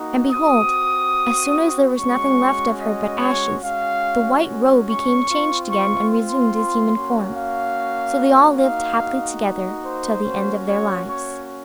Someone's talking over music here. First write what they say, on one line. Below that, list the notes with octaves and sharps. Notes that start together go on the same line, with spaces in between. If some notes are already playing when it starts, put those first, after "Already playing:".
And behold! as soon as there was nothing left of her but ashes, the white roe became changed again and resumed his human form; so they all lived happily together till the end of their lives.
Already playing: A#3 D#4 F#4
C4 F#4 D#6
G#3 C#4 F#4 C#6
D#5
C#5
G#3 C#4 F#4 F5
C#6
C4 F4
C#6
C6
A#3 C#4 F#4
F5
A#3 D#4 F#4 F5
C5
A#3 C#4 F#4
C#5
C#5